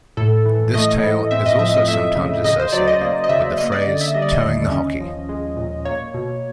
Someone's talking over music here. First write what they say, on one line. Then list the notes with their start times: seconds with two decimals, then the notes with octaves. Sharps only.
This tale is also sometimes associated with the phrase "toeing the hockey".
0.17 A2 A4
0.46 E3
0.74 A3 D#5
1.03 A2
1.31 C4 E5
1.46 D#5
1.59 F3 E5
1.74 D#5
1.88 A3 E5
2.16 C#3
2.44 C#3 D#5
2.59 C5
2.72 F#3 D5
2.87 D#5
3.01 A#3
3.24 D#5
3.29 C#3 E5
3.58 A#3 D#5
3.72 D5
3.87 D3
4.01 E5
4.14 G3 D#5
4.22 D5
4.31 D#5
4.44 D#2
4.72 C#4
5.01 F3
5.29 G#3
5.56 A#2
5.85 A#3 C#5
6.14 B2